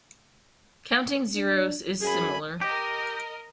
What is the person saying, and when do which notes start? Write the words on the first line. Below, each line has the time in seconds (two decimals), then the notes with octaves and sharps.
Counting zeros is similar.
1.35 D4
2.01 F#2 G#4 G#5 B5
2.61 G4 A#4 D#5